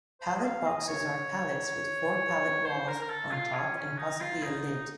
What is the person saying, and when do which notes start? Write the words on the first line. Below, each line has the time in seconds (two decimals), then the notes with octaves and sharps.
Pallet boxes are pallets with four pallet walls on top and possibly a lid.
0.21 C5
0.36 D#5
0.43 F5
0.66 D#5
0.87 C#5
2.65 C5
2.88 A#4
3.01 A#4
3.10 A4
3.31 F4
3.54 C#4
3.76 C#4
3.98 D#4
4.20 F4
4.43 D#4